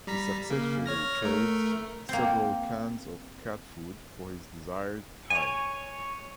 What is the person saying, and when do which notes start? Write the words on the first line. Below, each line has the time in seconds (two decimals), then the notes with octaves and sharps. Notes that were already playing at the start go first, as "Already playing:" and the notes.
He successfully trades several cans of cat food for his desired time.
0.07 G3 A#5 B6
0.50 C#3 A#3
0.86 C#5 F6 A#6
1.22 A3 A#4
2.09 A#3 C4
5.30 C#5 G#5